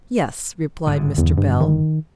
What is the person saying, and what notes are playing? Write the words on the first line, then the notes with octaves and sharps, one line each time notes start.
'Yes,' replied Mr. Bell.
G1 G#2 D3
E2
G2
D#3